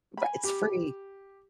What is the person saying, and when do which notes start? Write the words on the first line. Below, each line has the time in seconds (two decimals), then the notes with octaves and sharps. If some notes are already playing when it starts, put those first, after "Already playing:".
Right, it's free.
0.17 G#5 B5
0.44 G4